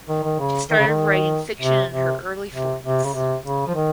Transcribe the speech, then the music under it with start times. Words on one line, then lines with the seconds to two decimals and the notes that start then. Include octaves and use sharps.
She started writing fiction in her early forties.
0.08 D#3
0.24 D#3
0.39 C#3
0.70 D#3
0.78 C#3
0.87 D#3
1.61 C3
1.92 C3
2.53 C3
2.84 C3
3.04 C#3
3.14 C3
3.44 C#3
3.67 F3
3.75 D#3